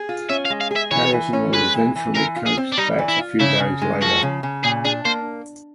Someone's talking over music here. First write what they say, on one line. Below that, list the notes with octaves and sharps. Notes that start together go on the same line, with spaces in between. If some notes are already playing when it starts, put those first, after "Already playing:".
Harrison was eventually coaxed back a few days later.
Already playing: G#4
F4
C#4 E5
F5
G#3
F5
G#4
E5
E3 C#5
E3
C#4
G#3 B4
E3
E3
E3 A#4
F4
G#4
C4
D4
G3 D#4
E3
E4
F4
C#3 E4
C#3
G#3
F3 F#4
C#3
C#3
A#2 G#4
D4 G#4
A#3 C5